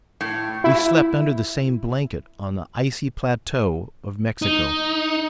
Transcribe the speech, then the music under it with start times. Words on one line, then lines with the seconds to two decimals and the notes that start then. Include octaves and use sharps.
We slept under the same blanket on the icy plateaux of Mexico.
0.21 A2
0.64 E4
4.42 D#4